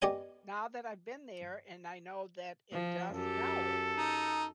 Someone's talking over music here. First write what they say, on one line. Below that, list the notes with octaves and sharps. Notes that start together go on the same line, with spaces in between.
now that I've been there and I know that it does help,
B3 G4 D5 D#5 G#5
F3
F#2 G4 A4
D#4